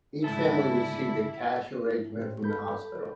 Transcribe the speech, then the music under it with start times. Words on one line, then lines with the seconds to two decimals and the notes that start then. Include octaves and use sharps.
Each family received a cash arrangement from the hospital.
0.24 D2 G#2 C#3 D4 E4 A4 E5
1.87 E4
2.16 A2 C#4 G4 C5
2.44 A4 B5 G6